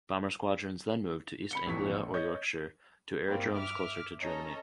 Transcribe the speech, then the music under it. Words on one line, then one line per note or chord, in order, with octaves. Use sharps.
Bomber squadrons then moved to East Anglia or Yorkshire to aerodromes closer to Germany.
B5 C#7 G7
A1 E2 E3 C#6 B6
A#1
C#5 D#5 G6
G2 F#3 G3 A#3 C4
E5 D6 F6
C#4 A4 C#5 D#5 A#5